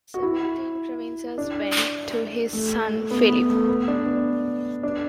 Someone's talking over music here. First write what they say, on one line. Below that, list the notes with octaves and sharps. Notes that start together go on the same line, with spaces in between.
The Seventeen Provinces went to his son Philip.
F#4
E4
D4
A3
B3
B3
A3
B3
D4
B3
D4